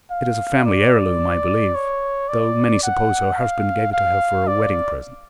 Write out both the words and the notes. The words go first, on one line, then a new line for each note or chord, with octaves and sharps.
It is a family heirloom I believe, though many suppose her husband gave it to her for a wedding present.
F5
D5
C#5
D5
F#5
F5
F5
D5